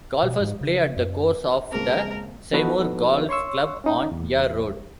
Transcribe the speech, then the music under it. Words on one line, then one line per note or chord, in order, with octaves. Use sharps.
Golfers play at the course of the Seymour Golf Club on Yea Road.
B2
G#2
C#3
F#2
C#2 A#3 C4 G#4 A#4 A5
F3 B3 D#4 F#4 A4 B4
C#5 C6 C#6 E6
C#4 D#4
E2